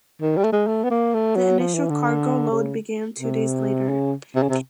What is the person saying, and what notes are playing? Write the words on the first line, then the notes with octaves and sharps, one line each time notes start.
The initial cargo load began two days later.
D#3
G3
A3
G#3
A3
B3
A#3
A3
F#3
F3
E3
D3
C#3
C3
C#3
C3
C#3
C3